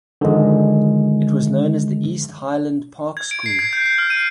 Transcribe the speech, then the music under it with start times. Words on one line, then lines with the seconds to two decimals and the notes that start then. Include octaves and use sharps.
It was known as the East Highland Park School.
0.21 D3 D#3 F3 G#3
3.17 G#6
3.31 D7
3.46 C7
3.59 G#6
3.73 G6
3.86 G6
3.98 F6
4.10 D#7